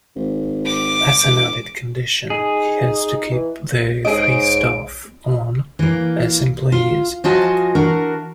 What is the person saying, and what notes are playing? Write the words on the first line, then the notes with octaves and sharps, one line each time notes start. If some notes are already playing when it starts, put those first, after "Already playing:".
As an added condition, he has to keep the three staff on as employees.
G#1
D6
E1
D#4 G#4
E3
G#2 G#4 C#5 D#5 D7
E3 A#3
F4
F3 F4 F#4 D#5 G#5 A5
E3 D4 F#4 A#4